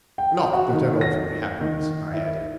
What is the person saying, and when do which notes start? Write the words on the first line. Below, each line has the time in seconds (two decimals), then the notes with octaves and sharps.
"Not that that often happens," I added.
0.18 G5
0.53 F#4
0.73 D#3
1.01 A#6
1.61 D#3
2.14 E4